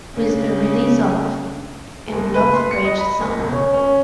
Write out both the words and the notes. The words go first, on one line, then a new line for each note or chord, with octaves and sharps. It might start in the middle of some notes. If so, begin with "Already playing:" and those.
With the release of ...and Love Rages on!
C#3 D4
F#1
B4
C6
C#7
D#5
B5
F#1
E1
C#4
C#4